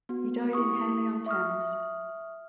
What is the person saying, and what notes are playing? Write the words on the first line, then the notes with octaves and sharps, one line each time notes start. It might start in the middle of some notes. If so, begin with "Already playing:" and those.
He died in Henley-on-Thames.
B3 F#4
E4 G4 C#6 D#6
E5 C#6 D#6 F6